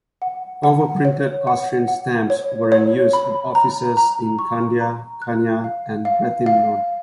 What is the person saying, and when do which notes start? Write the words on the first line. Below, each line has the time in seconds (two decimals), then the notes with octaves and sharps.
Overprinted Austrian stamps were in use at offices in Kandia, Khania and Rethymnon.
0.22 F#5
0.63 F#5
1.05 C#5
1.47 F#5
1.88 F#5
2.30 C#5
2.72 C#5
3.13 B5
3.55 A#5
3.97 A#5
4.39 C#6
4.81 A#5
5.22 F#6
5.64 F5
6.05 F5
6.46 F5